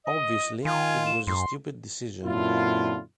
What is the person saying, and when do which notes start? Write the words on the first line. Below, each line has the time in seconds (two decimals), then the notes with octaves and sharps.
Obviously, it was a stupid decision.
0.05 D#5
0.65 D#3 F4 G#5
1.06 E7
1.27 F#2 C6
2.24 F#2 A#2 D3 C4 E4 F4